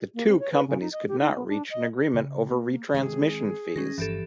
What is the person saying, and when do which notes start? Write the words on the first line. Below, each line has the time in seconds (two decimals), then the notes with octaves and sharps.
The two companies could not reach an agreement over retransmission fees.
0.15 A#3
0.27 C4
0.39 C#5
0.52 B4
0.68 C#3
0.81 D#4
0.93 D#5
1.08 G4
1.21 D#4
1.36 B3
1.49 D4
1.70 D#5
2.14 C#3
2.51 A#3
2.94 D#3 G#3 C4 G#4
3.76 D#3 G3 G#3 C#4 A#6
3.98 G1 G2 E3 F3 G4 A4